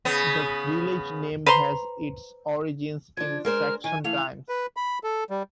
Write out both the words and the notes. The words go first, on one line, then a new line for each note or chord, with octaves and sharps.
The village name has its origins in Saxon times.
C#3 B3
B4 C5 A#5 C6
F3 D4 G#6
G#3 A#4 C5 F6
D#3 G#5
E3 A3 F5 F7
B4
B5
A4
G3